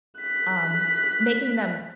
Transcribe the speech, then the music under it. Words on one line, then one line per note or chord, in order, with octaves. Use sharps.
um, making them
F#6 B6